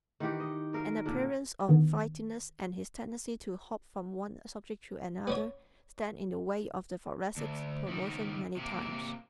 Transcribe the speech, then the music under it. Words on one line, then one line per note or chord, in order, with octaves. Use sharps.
An appearance of flightiness and his tendency to hop from one subject to another, stand in the way of the Thoracic's promotion many times.
D#3 E3 G4 F#5
D#5
F#3 A#4 F5
A#2 D3
D3 D#3 B3
B3 C#4 C#5
D2
C#2 D#3
C3 A#3